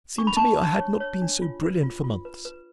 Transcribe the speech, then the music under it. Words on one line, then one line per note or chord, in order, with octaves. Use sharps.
It seemed to me I had not been so brilliant for months.
D4 C#6
B5
D4 A5 C#6
D4
C#5
C#5
D4
F4
B4
F4
F4
B4
B4